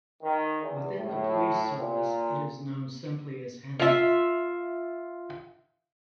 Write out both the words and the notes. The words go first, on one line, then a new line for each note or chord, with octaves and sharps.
Within the police service it is known simply as "Hendon".
D#3
E2
A2
A#2
F4 E5